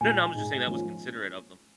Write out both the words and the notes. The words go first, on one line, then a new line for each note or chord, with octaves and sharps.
No, no, I'm just saying that was considerate of them.
A#2 G#3 D#4 G#5
G#2 G#3 D#4
F3 A#3 C#4 F4